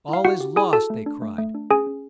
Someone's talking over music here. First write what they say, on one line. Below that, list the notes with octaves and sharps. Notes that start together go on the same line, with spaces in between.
"All is lost!" they cried.
E4 F5
E4 F#4 F#5
G4
E4 G#4 G#5
F#4 A4 A5
A3
D4
A3
A3
D4
C#4 G#4 G#5
C#4